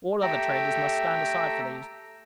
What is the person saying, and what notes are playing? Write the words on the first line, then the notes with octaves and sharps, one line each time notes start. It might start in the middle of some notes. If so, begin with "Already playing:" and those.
All other traders must stand aside for these.
A3 G4 A4 G5 A#5 E6